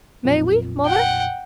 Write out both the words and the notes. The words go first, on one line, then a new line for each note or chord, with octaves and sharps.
"May we, Mother?"
B1 F2 A#2
F#5 G5